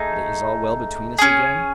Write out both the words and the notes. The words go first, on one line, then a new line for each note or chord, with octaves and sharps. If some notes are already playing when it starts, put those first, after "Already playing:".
"But it is all well between us again?"
Already playing: A3 D#4 G#4
C#4 G#4